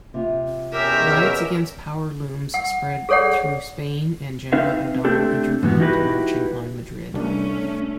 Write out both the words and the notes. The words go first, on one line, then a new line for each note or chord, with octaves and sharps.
Riots against power looms spread through Spain, and General O'Donnell intervened, marching on Madrid.
C3 F4
E2 B2 C#4 G4 A#4 E5
F#5
G#4 A4 C#5 D5 F#5
C4 D#4 B4 E5 F5
A3 C4 D4 G4 A4
G#2 E3 B3 F#4
D#4 E4 F#4 G4 A#4 B4
C2 A3 C#4 D4